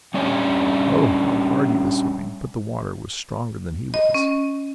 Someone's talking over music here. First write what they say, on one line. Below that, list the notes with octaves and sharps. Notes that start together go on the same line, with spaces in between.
Oh, how hard he was swimming, but the water was stronger than he was.
G3 C#4 D4 G4 C#5
D#5
C#4